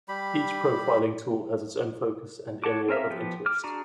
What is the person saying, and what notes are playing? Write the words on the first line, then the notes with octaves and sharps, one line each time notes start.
Each profiling tool has its own focus and area of interest.
G3 G4 B5
C#5 F#5 A5 D6
C4 C#4 A#4 E5 F5
F3 B3 G4
D6 F6
D4 F#4 G#4 A#5